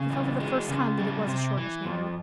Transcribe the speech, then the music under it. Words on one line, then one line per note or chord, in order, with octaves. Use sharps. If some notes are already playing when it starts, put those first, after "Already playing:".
He felt for the first time that it was a shortish name.
Already playing: C#3
E3
G#3
C#3
G3
C3
E3
F2